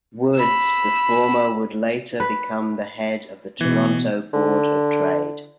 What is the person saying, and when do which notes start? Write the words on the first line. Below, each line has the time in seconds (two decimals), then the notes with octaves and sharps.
Woods, the former would later become the head of the Toronto Board of Trade.
0.35 B5 E6
2.20 B4
3.61 B2 E3
4.33 D3